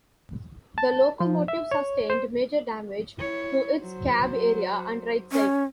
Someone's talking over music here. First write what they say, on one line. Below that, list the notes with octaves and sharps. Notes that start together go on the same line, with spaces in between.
The locomotive sustained major damage to its cab area and right side.
A5
F3
E5
C#5
C5
E4 C#5
F#3 C5
C#4